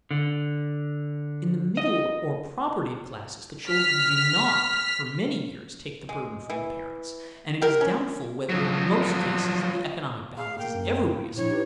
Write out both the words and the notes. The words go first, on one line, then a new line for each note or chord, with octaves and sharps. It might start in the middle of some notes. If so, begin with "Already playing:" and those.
In the middle or propertied classes the children do not for many years take the burden from the parents, and it is doubtful whether in most cases the economic balance is ever reestablished.
D3
D#5
F6 B6
G#3
E3
G4 A#4
C#4
F3 F#3
G#4 F5
A#3 G5
F#2
A2
A#2 F3 D4 E4 C#5
D#4 E4 G4 B4